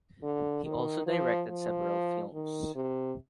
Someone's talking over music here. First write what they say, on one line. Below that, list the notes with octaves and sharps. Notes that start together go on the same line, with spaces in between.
He also directed several films.
D3
D#3
F3
F3
D#3
C3